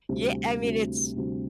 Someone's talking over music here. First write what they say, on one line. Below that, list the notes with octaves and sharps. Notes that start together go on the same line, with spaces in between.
Yeah, I mean, it's
D2 C3 G3 C4
D2 C3 G3 C4
D2 C3 G3 C4